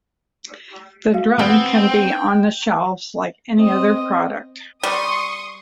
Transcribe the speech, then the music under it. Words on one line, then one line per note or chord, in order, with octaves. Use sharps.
The drug can be on the shelves like any other product.
F#4 F5
B3 C4
G5
C4 D#5
G3 C6 C#6 D#6